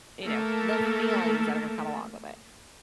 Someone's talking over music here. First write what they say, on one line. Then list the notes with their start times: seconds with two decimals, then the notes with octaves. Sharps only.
you know, the feelings that are gonna come along with it.
0.24 A3 A#3 A4 A#4 E5 A5